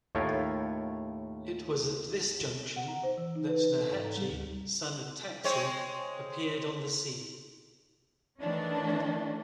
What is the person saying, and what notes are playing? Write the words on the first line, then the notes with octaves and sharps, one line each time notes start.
It was at this junction that Nurhaci, son of Taksi, appeared on the scene.
D#2 A2 A3 F4 A#4 C#5
F#5
A#5
C5
E3
D#4
B4
B4
A4
G#2
A#5
G3
D2
G#3 C4 C#5
D#3 E3 A3 C#4 D4